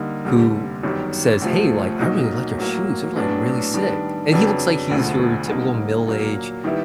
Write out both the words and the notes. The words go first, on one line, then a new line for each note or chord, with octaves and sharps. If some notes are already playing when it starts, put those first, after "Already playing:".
who says, "Hey, like, I really like your shoes, they're, like, really sick," and he looks like he's your typical middle-aged,
Already playing: D3 G3 A#3 D#4
F1 D#2 D3 G3
G1 F#2 D#3 G3
D2 C3 F3 A3
B1 A#2 F#3 A#3 D#4
A2 F#3 A#3
A#1 A2 F#3 B3 D4
D#3 G3 B3 D4
F2 C#3 F#3 B3 D4
E1 D2 D3 F3 A3
D3 G3 A#3 D#4
A#2 F#3 A#3
D#3 G3 B3 E4 G4